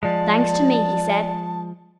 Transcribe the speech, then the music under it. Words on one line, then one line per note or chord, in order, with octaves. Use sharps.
"Thanks to me," he said.
F3 G#3 D5 A5